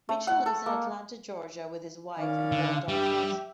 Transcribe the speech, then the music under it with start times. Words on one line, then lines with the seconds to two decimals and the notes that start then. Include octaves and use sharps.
Mitchell lives in Atlanta, Georgia with his wife and four daughters.
0.09 A3
0.27 F#5
0.46 A4
0.66 A#3
2.17 D#3 C#4 E4 D5 F5
2.52 D3
2.88 G2 G3 G4 E5